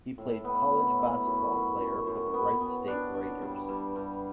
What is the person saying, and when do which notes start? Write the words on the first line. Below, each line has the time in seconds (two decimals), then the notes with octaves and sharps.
He played college basketball player for the Wright State Raiders.
0.18 A2
0.44 B3
0.72 F#3
0.99 E4
1.26 F#2
1.53 F#2
1.80 F#2
2.07 F#2
2.34 B3
2.61 B3
2.87 D4
3.15 D4
3.42 G2
3.69 G2
3.95 G2